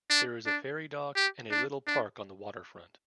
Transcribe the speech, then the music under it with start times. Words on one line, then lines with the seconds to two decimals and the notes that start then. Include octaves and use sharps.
There is a ferry dock and a little park on the waterfront.
0.10 D4
0.46 D4
1.16 G4
1.51 D4
1.87 D4